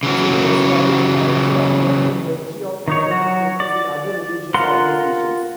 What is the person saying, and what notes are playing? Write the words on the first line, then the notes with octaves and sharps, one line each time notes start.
Similar styles are also applied to clergy of equivalent status in other religious organisations.
C#3 E3 F#3 F#4
D#3 D#4 C#5
F#3 F#4
D5
F4 A#4 F#5 C6